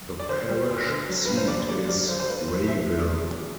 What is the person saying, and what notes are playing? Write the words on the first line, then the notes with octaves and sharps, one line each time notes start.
The parish seat is Rayville.
D5
D3 C5
G3
D2
D3
F#3
G2 B4
C5
D3 D5
F#3 D5
G2 D5
D3 C5
C5
F#3 B4
D2 C5
B2 E5
F#3
D5
E2
F#3